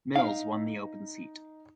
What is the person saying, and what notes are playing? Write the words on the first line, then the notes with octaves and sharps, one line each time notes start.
Mills won the open seat.
D#4 F5